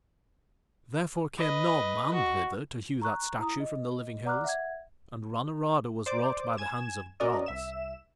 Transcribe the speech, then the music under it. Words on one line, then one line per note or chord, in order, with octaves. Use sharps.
Therefore came no man thither to hew that statue from the living hills, and Ranorada was wrought by the hands of gods.
B4 D#5
F#4
A#5 C#6 F#6
E4 A#5 D#6
D#5
D5 F#5 A#5 D6 F6 F#6
E5 F#5 G#6
C5 D5 D6
G#5 G#6 E7
C#4 F#4 A#4 D5 D#5
C2 E5 E7